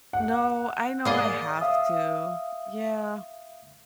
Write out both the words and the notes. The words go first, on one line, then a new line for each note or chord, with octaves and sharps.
No, I know I have to. Yeah.
F#5
A#3 G#4 D5 D#5
E5 F5 D#6